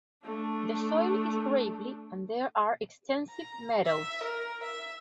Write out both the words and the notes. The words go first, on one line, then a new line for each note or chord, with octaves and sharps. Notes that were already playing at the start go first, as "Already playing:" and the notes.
The soil is gravelly and there are extensive meadows.
A3 D4
A#5
E5
A#4
E5